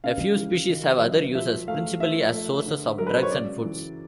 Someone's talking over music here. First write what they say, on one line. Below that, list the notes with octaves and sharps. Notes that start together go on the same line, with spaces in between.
A few species have other uses, principally as sources of drugs and foods.
C#3 F5
E3
D#3
F#3
F3 E5
A3 F5
F3 E5
A3
D3
F#3 A#4
B4
C5
C#5
C#3 D5
E3